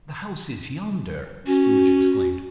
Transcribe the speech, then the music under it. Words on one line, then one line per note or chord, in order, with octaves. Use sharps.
"The house is yonder," Scrooge exclaimed.
C#4 F#4